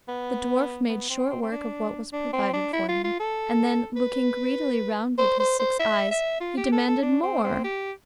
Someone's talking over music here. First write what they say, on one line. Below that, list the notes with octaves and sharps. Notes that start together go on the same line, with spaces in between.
The dwarf made short work of what was provided for him, and then, looking greedily round with his six eyes, he demanded more.
B3
B3
C4
C4
C4
D4
D4
C4
D4
E4
F4
F4
A4
B4
C5
C5
C5
E5
E5
F4
G4
A4
A4
D4
C4
C4
G4